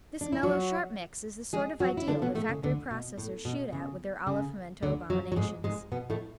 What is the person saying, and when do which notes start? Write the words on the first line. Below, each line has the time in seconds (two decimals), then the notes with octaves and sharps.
This mellow-sharp mix is the sort of ideal the factory processors shoot at with their olive-pimiento abominations.
0.21 D4
0.32 E4
0.43 F#3 F#4
1.53 G#3 G#4
1.80 F#3 F#4
1.97 E4
2.08 D3 D4
2.22 B2 B3
2.35 A2 A3
2.49 C#3
2.63 D2 D3
2.91 B2
3.18 A2
3.45 B2
3.72 C#3
4.27 C#3
4.82 D2 D3
5.10 F#2 F#3
5.32 F#3
5.36 G#2 G#3
5.64 G#2 G#3
5.92 B2 B3
6.10 A2 A3